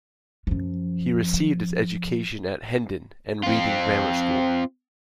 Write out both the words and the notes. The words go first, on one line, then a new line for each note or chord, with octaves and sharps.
He received his education at Hendon, and Reading grammar school.
F#2 F3
C4 F4